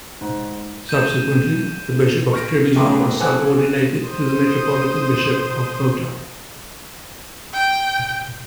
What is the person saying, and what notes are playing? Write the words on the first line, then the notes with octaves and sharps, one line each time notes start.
Subsequently, the Bishop of Trebizond was subordinated to the Metropolitan Bishop of Poti.
G#2
G6 D#7 E7
C#6 F6 G6 A#6 D7
A#1 G#2 A3 B3 C6 D6
A4 C5 F#5 G#5 D6 F#6
C5 D#6
G5